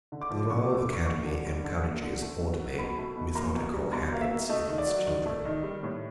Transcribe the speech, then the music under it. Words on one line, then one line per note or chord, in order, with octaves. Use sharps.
The Royal Academy encourages orderly, methodical habits in its children.
D3
D6
F3
D3 C#6
A3 D6
D6
D3
C#6
A#3 C#6
D3
G3
D3
A#3
D3
A3
B2
F#3
B2 B5
A3
B2
A#3 A#5
B2
G3
B2 A#5
A#3 F5
E5
B2
A3 D#5
D#3
D5
F#3
D#3
A3
D#3
G3
A2